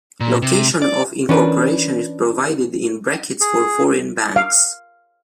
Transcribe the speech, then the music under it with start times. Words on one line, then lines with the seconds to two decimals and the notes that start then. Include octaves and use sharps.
Location of incorporation is provided in brackets for foreign banks.
0.20 A#2
0.42 C3
0.82 D5
1.29 E3 C#4 D4 A#4 B4
3.41 G#4
4.36 F5